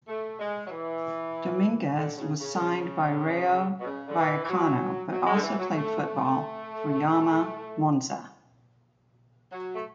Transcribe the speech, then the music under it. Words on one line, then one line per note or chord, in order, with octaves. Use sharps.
Domingues was signed by Rayo Vallecano but also played football for Fiamma Monza.
A3
G#3
F#3
E3
D3
C#3
C#3
D3
C#3
B2
C#3
D3
E3
E3
F#3
F#3
G#3
D3
E3
F#3
A3
F#3
A3